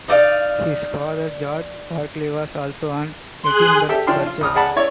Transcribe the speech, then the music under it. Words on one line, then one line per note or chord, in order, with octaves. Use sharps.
His father George Barclay was also an Edinburgh burgess.
D#4 D5 E5 F5
G#4 C6 F#6
G4 A4 E5 G5
F3 C#4 D4 G5 C6 F6
F4
C#2 D#6 F6
C#2 G#4 D5 F#5 A5 B5
C#4 E4 C#5 D5